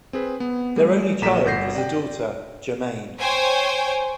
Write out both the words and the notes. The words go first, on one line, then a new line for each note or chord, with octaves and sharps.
Their only child was a daughter Germaine.
C4 G#4 B4
B3
G3 A3 G#4
A#1 A#2 A4 A#5 B6 E7
G1 F#5 G6 A#6 C7
D5 G5
C5 C#5 G5 G#5